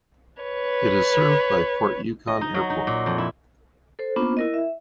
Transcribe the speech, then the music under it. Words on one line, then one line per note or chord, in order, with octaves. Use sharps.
It is served by Fort Yukon Airport.
B4 C#5
D#5
D#4
F#3
D#4
A#2
F2
E4
A4 C5
A#3 B3 C#4 D4 F4 C5
E4 A#4 D#5
E5